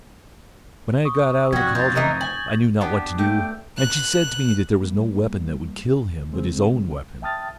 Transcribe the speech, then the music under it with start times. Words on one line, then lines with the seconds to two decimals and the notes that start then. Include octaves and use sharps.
When I got out of the caldron I knew not what to do; and she said to me that there was no weapon that would kill him but his own weapon.
1.05 C#6 D#6
1.53 F2 C3 G3 F#4 G#6 A#6
1.75 F4 G6 A6
1.95 E3 D#4 A#4
2.21 G#5 F#7
2.81 B3 D4 G4
3.19 A3 G5
3.77 F#6
4.82 G3 A#3
6.32 C#3 G#3 C4
7.22 E5 G5 A5 D#6 F6 A6